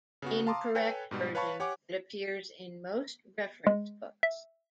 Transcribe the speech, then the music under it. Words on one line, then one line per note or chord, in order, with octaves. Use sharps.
Incorrect version that appears in most reference books.
C#3 B3 F#4
F5 A5 A#5 C6 D6 D#6
A4 B4 C#5 G5 G#5
G#2 B2 G3
B4 C#5 F5 A5 B5 C#6
G4 C#5 F#5 G#5 D6
G#3
E5